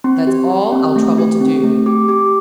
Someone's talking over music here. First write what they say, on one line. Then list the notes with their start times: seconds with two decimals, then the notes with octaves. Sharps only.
That's all I'll trouble to do.
0.04 C4 C6
0.27 G4
0.50 G4
0.72 C4
0.96 A3
1.18 G4
1.41 C4
1.64 A3
1.86 G4 D6
2.08 G4 D6